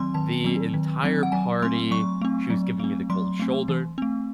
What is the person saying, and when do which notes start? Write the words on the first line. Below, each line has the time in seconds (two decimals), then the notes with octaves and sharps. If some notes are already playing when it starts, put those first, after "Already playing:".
the entire party, she was giving me the cold shoulder.
Already playing: D#3 F#3 C4 C6
0.14 D#3 A5
0.44 F#3 C4
0.74 D#3
1.04 F#3 C4
1.23 F#5
1.32 F#3 G#5
1.62 A3 C4 C6
1.91 F#3 C#6
2.21 A3 C4
2.50 F#3
2.80 A3 C4
3.10 F#3 C6
3.40 A3 C4
3.68 E3
3.98 A3 C4